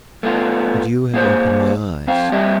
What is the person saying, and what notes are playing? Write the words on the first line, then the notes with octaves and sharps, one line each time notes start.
But you have opened my eyes.
A3 B3 F4
A#3 G#4 C5 C#5
F2 C4 F5
G3 C4 G4 C#5 D#5 E5